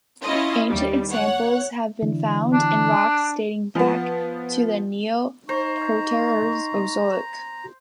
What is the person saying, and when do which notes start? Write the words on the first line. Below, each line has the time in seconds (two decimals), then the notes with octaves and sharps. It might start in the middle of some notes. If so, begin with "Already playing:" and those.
Ancient examples have been found in rocks dating back to the Neoproterozoic.
0.24 C#4 E4 F4 D#5
0.69 D#2 G3
1.09 C#5 F#5
2.03 D3 E3
2.52 D4
3.75 F3 B3
5.49 D#4 C5 A#5 C#6